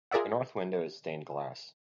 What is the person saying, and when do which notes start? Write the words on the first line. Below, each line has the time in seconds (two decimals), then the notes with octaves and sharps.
The north window is stained glass.
0.11 F4 G#4 A#4 D5 E5 F#5